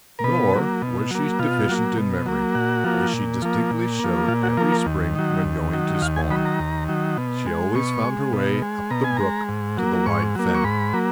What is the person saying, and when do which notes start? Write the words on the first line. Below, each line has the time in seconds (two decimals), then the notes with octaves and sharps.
Nor was she deficient in memory, as she distinctly showed every spring when going to spawn; she always found her way up the brook to the wide fen.
0.19 A#4
0.24 B2 B4
0.53 F#3 A#3
0.82 B2
1.11 F#3 A#3
1.39 B2 F4
1.69 F#3 A#3
1.98 B2
2.26 F#3 A#3
2.55 A#2 F#4
2.84 F3 A#3
3.13 A#2
3.42 F3 A#3
3.71 A#2
4.00 F3 A#3
4.28 A#2 F4
4.43 F#4
4.57 F3 A#4
4.60 A#3
4.72 A#4
4.86 D#2
5.15 D#3 F#3
5.44 D#2
5.73 D#3 F#3
6.02 D#2 F5
6.16 G#5
6.30 D#3 F#3 B5
6.45 A#5
6.59 D#2
6.88 D#3 F#3
7.17 B2
7.46 G#3
7.75 B2 C#6
8.04 G#3
8.33 B2
8.62 G#3
8.90 B2 A#5
9.04 G#5
9.17 G#3 A#5
9.49 G#2
9.77 F#3 A#3
10.06 G#2 C#6
10.35 F#3 A#3
10.55 C#6
10.64 G#2 B5
10.93 F#3 A#3